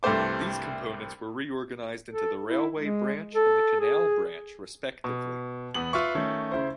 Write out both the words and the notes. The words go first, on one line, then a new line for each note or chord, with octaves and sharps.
These components were reorganized into the Railway Branch and the Canal Branch, respectively.
C2 G2 A3 C5 D6
A4
E4
G#3
A4
G#4
B2
E2 B3 F#7
F4 B4 E5 C6 C#6
D#3 A3 C#4
C#3 E4 C5